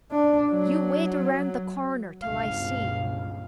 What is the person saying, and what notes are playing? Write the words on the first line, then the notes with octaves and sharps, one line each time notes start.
"You wait around the corner till I see."
D4
F#3
G1 C#2 B2 F5